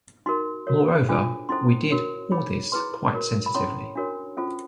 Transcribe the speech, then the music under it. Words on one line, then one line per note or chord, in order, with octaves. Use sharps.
Moreover we did all this quite sensitively.
D#4 F#4 A#4 C6
F#4 A#4 C#5
D4 F4 G#4 C5
C#4 E4 A4 C5 C6
F#4 A#4 C#5
D#4 G#4 C#5 B5
E4 G#4 B4 C6
F#4 A#4 C#5
B5
C#4 E4 A4 C#5 C6
D4 F#4 A#4 C#5
C#4 F4 A4 C5